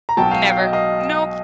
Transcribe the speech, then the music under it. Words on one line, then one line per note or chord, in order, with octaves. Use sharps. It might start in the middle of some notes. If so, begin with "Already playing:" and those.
Never. Nope.
A#5
B1 B2 F#3 G5 A5
F5 G5
F5 G5
D#5 F5
D#5 F5